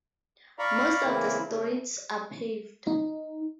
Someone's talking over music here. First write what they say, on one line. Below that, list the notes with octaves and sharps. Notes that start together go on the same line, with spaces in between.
Most of the streets are paved.
D5 F5 A#5 B5 C#6
C#3 E3 A#3 C4 E4
C#3 A3
D#4